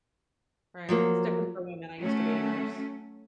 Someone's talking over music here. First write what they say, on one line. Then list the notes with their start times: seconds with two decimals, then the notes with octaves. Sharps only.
Right, it's different for women, I used to be a nurse.
0.89 F3 F#3 A#3
2.00 F#3 A3 C#4